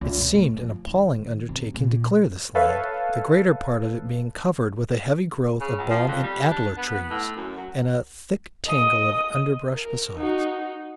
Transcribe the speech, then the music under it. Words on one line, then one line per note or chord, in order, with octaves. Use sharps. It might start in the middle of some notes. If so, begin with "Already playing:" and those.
It seemed an appalling undertaking to clear this land, the greater part of it being covered with a heavy growth of balm and alder trees and a thick tangle of underbrush besides.
C#2
C3
A3
F3
D#3
C3
A#2
A4 B4 C#5 E5 F5
C#3
C#2
F3
F2
G3
D4
B3
B3
A2
F#2
F#3
D#5 D#6
A#4
D#4 F#4